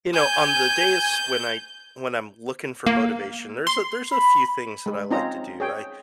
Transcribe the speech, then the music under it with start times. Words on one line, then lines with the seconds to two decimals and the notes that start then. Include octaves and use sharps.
you know, on the days when I when I'm looking for motivation, there's a there's a few things that I like to do. I,
0.14 G#5 G6
2.86 A#3
3.67 C6
4.11 B5
4.86 G#3
5.11 C4 C#4 D#4 F4 A#5
5.60 G#4 C#5 G5